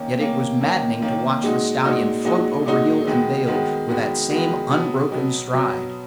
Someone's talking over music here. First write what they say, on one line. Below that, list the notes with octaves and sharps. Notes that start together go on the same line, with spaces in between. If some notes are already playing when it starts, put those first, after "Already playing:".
Yet it was maddening to watch the stallion float over hill and dale with that same unbroken stride.
Already playing: D#3 A#3 C#4
D#3 A#3 C#4
D#3 A#3 C#4
D#3 A#3 C#4
A#2 G#3 D#4 F#4
A#2 G#3 D#4 F#4
A#2 G#3 D#4 F#4
A#2 G#3 D#4 F#4
D#3 G#3 B3 F#4
D#3 G#3 B3 F#4
D#3 G#3 B3 F#4
D#3 G#3 B3 F#4
B2 F#3 B3
B2 F#3 B3
B2 F#3 B3